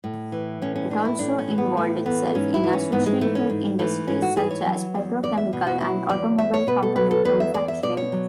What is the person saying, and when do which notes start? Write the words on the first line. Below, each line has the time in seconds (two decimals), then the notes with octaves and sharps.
It also involved itself in associated industries such as petrochemicals and automobile component manufacturing.
0.04 A2
0.32 E3
0.62 A2 C#4
0.76 C#4
0.90 E3 D4
1.05 E4
1.19 A2 D4
1.38 C#4
1.48 E3
1.58 B3
1.77 A2 A3
2.06 E3 B3
2.35 G#2 C#4
2.54 E4
2.64 E3
2.73 C#4
2.92 G#2 B3
3.06 G#3
3.21 E3 A3
3.35 C#4
3.50 G#2
3.79 E3 A3
4.07 G#2 C#4
4.22 F#4
4.36 E3 G#4
4.51 C#5
4.66 F#3
4.95 E2
5.23 E2 D5
5.38 E5
5.53 B2
5.67 F#4
5.81 F#3 E4
6.09 E2 D5
6.38 E2 E5
6.54 C#5
6.67 B2 B4
6.83 A4
6.96 F#3 B4
7.11 A4
7.25 E2 B4
7.40 E5
7.54 E2 D5
7.68 E5
7.83 B2 D5
7.97 C#5
8.12 F#3